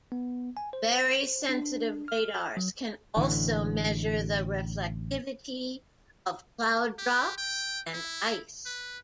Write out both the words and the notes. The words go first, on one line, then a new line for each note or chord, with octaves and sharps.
Very sensitive radars can also measure the reflectivity of cloud drops and ice.
B3
G#5
C5
D4
F6
F#3
A1 D3 E3
G4
G5
E4
B4